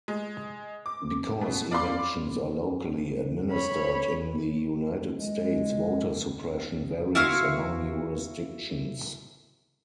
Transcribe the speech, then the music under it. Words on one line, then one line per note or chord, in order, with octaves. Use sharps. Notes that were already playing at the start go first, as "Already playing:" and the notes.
Because elections are locally administered in the United States, voter suppression varies among jurisdictions.
G#3
D6
B2
D5 F5 B5 C6 D6
C#5 B5
G#3
E4 F#4 F5 C6